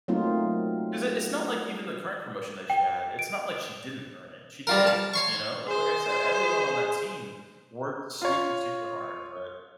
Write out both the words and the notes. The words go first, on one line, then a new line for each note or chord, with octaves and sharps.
'cause it's not, like, even the current promotion that she had, it's not like she didn't earn it, she did, you know, but like like I said, everyone on that team worked super, super hard, but
F#3 A3 A#3 C4 D#4 F4
G5
D7
G3 F4 A#4
A5
C#5 C6 C#6
G#4 C5
F4 C#5